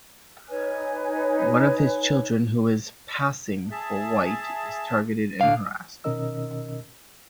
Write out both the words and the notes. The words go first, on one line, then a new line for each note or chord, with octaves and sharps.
One of his children, who is "passing" for white, is targeted and harassed.
D#4 B4 C#5 G#5
G#4 E5 A5
D2 A2 D3 F5
B2 D#3 C#4 A#4 D#5 E6